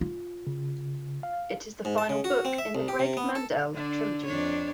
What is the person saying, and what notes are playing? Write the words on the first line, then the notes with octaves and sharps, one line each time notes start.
It is the final book in the Greg Mandel trilogy.
F4
C#3
F5
G#2
A5
C#3
F#4
C4
E5
C2
G4
C3
B3
A4
D3 D4
F2 D4 C#5